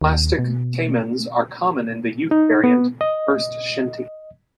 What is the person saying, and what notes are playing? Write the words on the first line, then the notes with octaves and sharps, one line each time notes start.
Plastic camans are common in the youth variant "First Shinty".
D#2
B2
D#4
B3
D#5